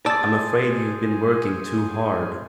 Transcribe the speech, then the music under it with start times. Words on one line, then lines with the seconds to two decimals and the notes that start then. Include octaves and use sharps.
I’m afraid you’ve been working too hard.
0.06 G#4 C5 D5 G#5 A5 E6 A6